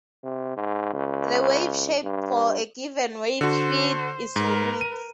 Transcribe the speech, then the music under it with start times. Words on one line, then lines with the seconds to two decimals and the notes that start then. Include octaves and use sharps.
The wave shape for a given wave speed is unique.
0.24 C3
0.57 G#2
0.94 C#2
2.03 G2
3.41 D3 F#4 C5
4.36 G#2 A#4 B4
4.81 D#7